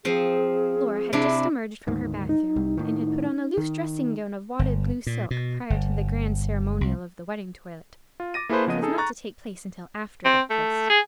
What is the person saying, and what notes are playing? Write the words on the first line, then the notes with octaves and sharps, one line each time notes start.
Laura had just emerged from her bath room, and had put on a loose dressing-gown of wadded blue silk, prior to the grand ceremonial of the wedding toilet, which was not to take place until after breakfast.
F3 C4 G#4
C3 D4 E4
D2 G#2 D#3
D#4
C2 G3
A2 D#3
D#3
G1
A#2
B2
G1
C2
F4
D6 A6 A#6 D#7
A#3 E4 G#4 A4 B4 C5
C#3 F3 B3 D#5 D#7
D#4 G#4 A4
A#5 C#6 F#6 A6
C4
A3
G#4